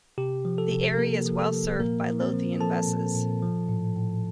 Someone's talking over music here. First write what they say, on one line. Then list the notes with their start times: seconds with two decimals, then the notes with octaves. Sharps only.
The area is well served by Lothian Buses.
0.18 C3 G4
0.45 F3
0.58 A4
0.72 C3
0.98 C3 A#3 A#4
1.26 F3
1.39 A4
1.53 F3
1.79 A#2 A#3 A#4
2.07 F3
2.20 C4 C5
2.34 F3
2.61 F3 A4 A5
2.87 A#2
3.15 A#2
3.42 F3
3.69 A2
3.96 A2